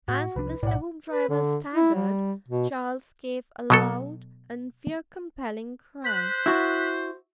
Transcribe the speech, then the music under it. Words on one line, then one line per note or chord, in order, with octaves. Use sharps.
As Mr. Hoopdriver staggered, Charles gave a loud and fear-compelling cry.
A2 F#4
C2 F3 D4 B4
B1 A2 D5 F#5
B4
D3
E4
G3
B2
B2 F#3 A4
C5 F#6 B6
E4 F#4